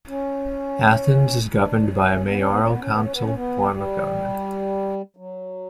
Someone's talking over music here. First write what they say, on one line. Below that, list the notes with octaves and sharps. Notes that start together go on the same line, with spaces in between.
Athens is governed by a mayoral-council form of government.
C#4
D4
C#4
B3
C#4
B3
C#4
B3
C#4
B3
C#4
B3
C#4
B3
G3
F#3